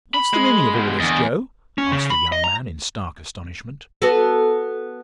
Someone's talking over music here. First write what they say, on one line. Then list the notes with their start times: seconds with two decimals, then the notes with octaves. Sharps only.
"What's the meaning of all this, Joe?" asks the young man, in stark astonishment.
0.14 B5
0.33 G#3
0.74 B2 G#3
1.00 E2 D3 D#5
1.78 C#4
1.92 C#3
2.10 B5
2.32 D#5
2.44 A#5
4.02 B3 F#4 A4